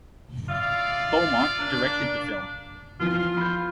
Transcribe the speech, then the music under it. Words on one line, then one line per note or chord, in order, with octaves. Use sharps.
Beaumont directed the film.
F4 D5 E5 F5
A#3 D4
F2 E3 F3 F4
B5 G6